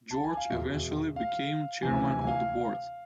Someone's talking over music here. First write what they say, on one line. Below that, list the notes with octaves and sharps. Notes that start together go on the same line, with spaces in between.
George eventually became chairman of the board.
A5
G#5
F5
E2 B2 E5
F5
D2 C3 E3 G#5
G#5
G#5
F5